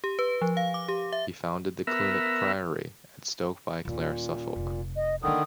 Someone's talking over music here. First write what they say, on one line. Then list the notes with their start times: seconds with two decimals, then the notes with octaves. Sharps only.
He founded the Clunic priory at Stoke-by-Clare, Suffolk.
0.04 G4
0.19 B4
0.42 F3
0.57 F5
0.74 D6
0.88 G4
1.13 E5
1.87 B3 A#4 E5
3.85 D#1 A#2 C#4
4.56 F1
4.96 D#5
5.22 D3 D#3 A#3 E4 D#6